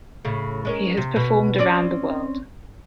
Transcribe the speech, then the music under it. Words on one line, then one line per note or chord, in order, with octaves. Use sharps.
He has performed around the world.
A2 C#3
G#3 C#4 A#4
C3
B2
C4 C#4 D5